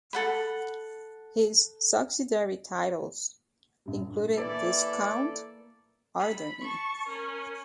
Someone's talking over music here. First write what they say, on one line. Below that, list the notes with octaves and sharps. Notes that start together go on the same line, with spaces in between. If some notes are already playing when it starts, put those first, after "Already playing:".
His subsidiary titles included Viscount Alderney.
A4 F#5 B5
A#1 G2 G3
E3 A#3 E4 A4 D5
B5
A5 C#6
C#4 A#4